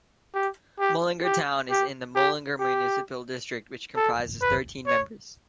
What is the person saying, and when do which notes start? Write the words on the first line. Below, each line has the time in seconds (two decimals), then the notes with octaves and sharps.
Mullingar town is in the Mullingar Municipal District which comprises thirteen members.
0.34 G4
0.79 G4
1.25 G4
1.70 G4
2.16 G4
2.60 G4
3.96 A4
4.42 B4
4.87 C#5